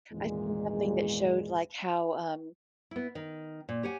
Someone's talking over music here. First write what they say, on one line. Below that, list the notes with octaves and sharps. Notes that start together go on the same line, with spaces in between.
I think something that showed, like, how, um,
G#1 E2 A#2 G#3
B3 E4
D#3
A#2
G4 C#5 F#5 G#5